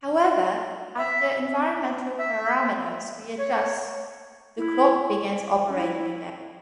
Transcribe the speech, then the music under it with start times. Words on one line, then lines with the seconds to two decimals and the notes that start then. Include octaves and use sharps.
However, after environmental parameters readjust, the clock begins operating again.
0.97 E5
2.17 E5
3.37 C#5
4.57 E4
5.68 C#4
5.77 E4